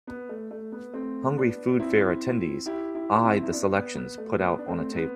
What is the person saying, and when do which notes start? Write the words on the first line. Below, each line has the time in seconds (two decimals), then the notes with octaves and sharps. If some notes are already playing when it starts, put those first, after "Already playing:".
Hungry food fair attendees eye the selections put out on a table.
0.07 B3
0.29 A3
0.51 A3
0.72 B3
0.93 A3 C4
1.36 B3 D4
1.79 C4 E4
2.66 E4 G4
2.95 E4 G4
3.24 C4 E4
3.43 E4
3.53 B3 D4
3.74 B3
3.95 B3
4.18 A3
4.39 B3
4.58 D4
4.68 A3 C4
4.92 C4
4.96 B3